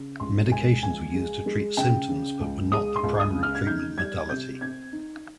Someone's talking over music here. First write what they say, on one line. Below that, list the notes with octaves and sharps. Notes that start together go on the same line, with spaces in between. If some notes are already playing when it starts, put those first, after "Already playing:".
Medications were used to treat symptoms but were not the primary treatment modality.
Already playing: C#3
C#2 C6
C#2 G#5
C#2 G#5
G#3
G#3
C#3 G5
C#3
C#2
G#3 D#6
C6
C#2
D#6
C#3
F6
G#6
D#4 G6
G3 G#6
C3 G6
C4 G#6
D#4